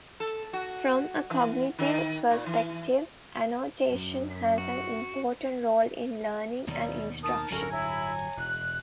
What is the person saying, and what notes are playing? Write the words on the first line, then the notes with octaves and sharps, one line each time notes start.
From a cognitive perspective annotation has an important role in learning and instruction.
A4
F#4
E3
D#3
A#2
E3
F#2
F#4
D#2 B2 D#3 F#3 G3
D#4 A#4 A5 D#6
D1 G1 F#3 C#4 F#4 A4 A#4
E4 C#5 G#5 A#5
E1 F#6